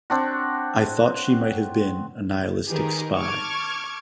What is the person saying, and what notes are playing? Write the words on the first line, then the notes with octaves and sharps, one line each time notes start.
I thought she might have been a nihilistic spy.
C4 D4 F#4
D#3 D#4 G4 G#4 A#4 B4
A5 C#6 D6 F6 G#6